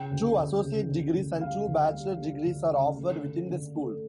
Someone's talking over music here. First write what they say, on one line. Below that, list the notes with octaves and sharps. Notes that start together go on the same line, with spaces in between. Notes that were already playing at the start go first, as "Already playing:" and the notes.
Two Associate Degrees and two Bachelor Degrees are offered within the School.
Already playing: C#3 G5
D2
D2
C#3
D2
D2
G3 F5
D2
G3
G3
D2
C#3
A3
D3
D3
A3